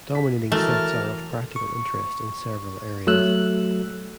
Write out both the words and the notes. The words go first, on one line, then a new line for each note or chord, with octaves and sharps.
Dominating sets are of practical interest in several areas.
B6
E3 F#3 A3 A#4 A5 F6 A6
C#6
F#3 A3 E6 F#6